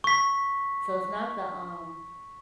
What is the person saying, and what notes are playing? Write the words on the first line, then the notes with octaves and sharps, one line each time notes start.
so it's not the, um,
C#6 B6